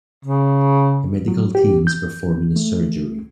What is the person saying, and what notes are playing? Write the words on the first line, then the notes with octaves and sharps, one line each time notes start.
A medical team is performing a surgery.
C#3
F#3
G4
G6
A3